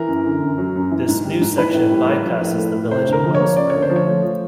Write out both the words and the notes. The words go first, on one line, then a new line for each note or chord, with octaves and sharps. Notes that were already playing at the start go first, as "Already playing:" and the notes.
This new section by-passes the village of Welsford.
Already playing: E3 A#4
F#2
D3
F#2
F#3
F#2
E3
G#2
G3
G#2
E3 B4
A2
G3
A#3
F3
A2
A3
A2
C3 C5
D2 A#4
F3
C#5
A#3
C#3 D5
D2 C#5
C5
F3
C#5
A3
F3